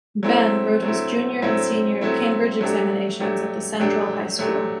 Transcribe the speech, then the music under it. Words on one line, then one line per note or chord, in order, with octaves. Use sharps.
Benn wrote his Junior and Senior Cambridge Examinations at the Central High School.
F#3 A3 C4 E4
F#3 A3 C4 E4
F#3 A3 C4 E4
F#3 A3 C4 E4
F#3 A3 D4 G4
F#3 A3 D4 G4
F#3 A3 D4 G4
F#3 A3 D4 G4